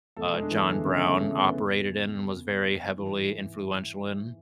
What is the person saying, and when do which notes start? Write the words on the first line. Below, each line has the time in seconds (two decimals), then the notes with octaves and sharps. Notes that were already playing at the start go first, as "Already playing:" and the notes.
uh, John Brown operated in and was very heavily influential in,
0.16 E2 B2 A3 A4
0.34 G#3 G#4
0.42 D4
0.51 E3 E4
0.68 D3 D4
0.86 C#3 C#4
1.03 A3
1.20 A3
1.31 A3
1.38 B3
1.55 E2 D3
2.94 G#2 E3